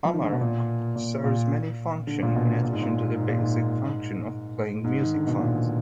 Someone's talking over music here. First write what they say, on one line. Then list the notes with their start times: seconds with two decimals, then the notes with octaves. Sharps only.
Amarok serves many functions in addition to the basic function of playing music files.
0.05 F3
0.14 D#3
0.23 D3
0.32 B2
0.41 A#2
0.96 A#2
1.24 A#2
2.07 D3
2.23 A#2
2.35 B2
2.63 A#2
2.73 G#2
2.83 A#2
3.17 G#2
3.28 A#2
3.39 G#2
4.84 G#2
5.02 D#3
5.14 D3
5.27 B2
5.40 A#2